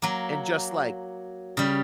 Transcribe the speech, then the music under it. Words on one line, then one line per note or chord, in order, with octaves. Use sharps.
and just, like,
F#3 A#3
C#3 G3